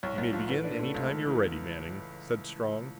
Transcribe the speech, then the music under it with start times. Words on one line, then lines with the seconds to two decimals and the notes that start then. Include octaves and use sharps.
"You may begin any time you are ready, Manning," said Strong.
0.03 C2 C#5
0.18 C2
0.33 F3
0.48 A2 B4
0.64 D4
0.79 A3
0.94 C#2
1.10 C#2
1.25 E3